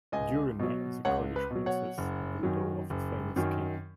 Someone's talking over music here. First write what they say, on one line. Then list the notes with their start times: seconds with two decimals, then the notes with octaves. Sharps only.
Durimeh is a Kurdish princess and widow of a famous king.
0.12 C#2 D#5 G#5
0.59 B2 F#3
1.05 C#2 C#5 F#5
1.36 B4
1.51 B2 F#3
1.66 C#5 F#5
1.98 F#1
2.43 F#2 D#3 F#3
2.90 F#1
3.36 F#2 D#3 F#3